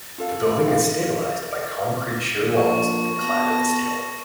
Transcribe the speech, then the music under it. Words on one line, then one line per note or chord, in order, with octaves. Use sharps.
The building is stabilised by concrete shear walls and clad in steel.
F4 A4 F5
F5
F3 A#3 D4 C#6
B3 F#4 B4 A5 A#6